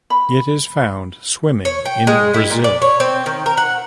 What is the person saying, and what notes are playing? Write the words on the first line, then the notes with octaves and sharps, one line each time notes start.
It is found swimming in Brazil.
B5
C#5
G5
G#3
E4
A#2
D5
C#5
C4
D#3
A#4
F#5